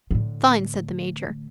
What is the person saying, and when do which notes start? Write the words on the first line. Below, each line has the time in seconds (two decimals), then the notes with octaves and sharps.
"Fine," said the Major.
0.11 A2 D3